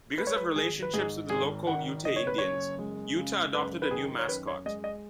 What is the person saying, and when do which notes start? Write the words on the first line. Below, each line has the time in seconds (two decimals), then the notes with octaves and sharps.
Because of relationships with the local Ute Indians, Utah adopted a new mascot.
0.18 G#3 B4
0.27 C#5
0.36 B4
0.56 G#1 G#4
0.82 B4
0.94 G#2 G#4
1.30 G#1 G#4
1.67 D#3 F#5
2.05 F#1 D#5
2.16 C#5
2.27 B4
2.38 F#2 C#5
2.79 G#3
3.17 C#3
3.54 F#2 B4
3.82 B4
3.91 D#3 G#4
4.19 C#5
4.28 F#2 B4
4.47 C#5
4.66 G#3 D#5
4.84 D#5